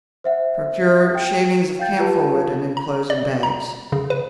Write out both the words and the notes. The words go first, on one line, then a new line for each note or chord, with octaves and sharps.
Procure shavings of camphor wood, and inclose in bags.
C5 E5 F#5
G5
F5 G5 G6 A6
F4 G4 B4 A5
A#5
D5
A#5
C#3
B4